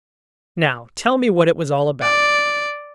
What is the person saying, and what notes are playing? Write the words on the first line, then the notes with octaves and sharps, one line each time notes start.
"Now tell me what it was all about."
D5